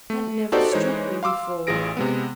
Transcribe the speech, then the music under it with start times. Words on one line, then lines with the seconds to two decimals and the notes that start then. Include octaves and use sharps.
"That never struck me before."
0.10 A3
0.52 D#4 F#4 G4 A4 C5 D5
0.72 E3 G#3 D#4 C5 C#5
1.23 F5 C6 D6 E6
1.67 A1 E3 F4 G#4 A#6 D7
1.97 C3 G#3 B3